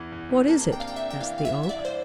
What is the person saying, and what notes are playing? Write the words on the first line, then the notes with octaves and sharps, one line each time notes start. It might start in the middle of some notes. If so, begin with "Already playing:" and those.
"What is it?" asked the Oak.
Already playing: E2 E3
E2
C3
A#3 A5
D4
G5
F5
D4 G5
E5
D4
G5
E3 F5
C2 F5
E5
E3
E5
D5
C2
C5